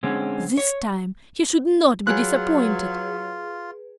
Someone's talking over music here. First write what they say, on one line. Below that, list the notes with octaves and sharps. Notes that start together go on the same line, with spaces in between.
This time he should not be disappointed.
D3 G#3 C4 C#4
C#5
F#3 F4 G#4 B4 F#6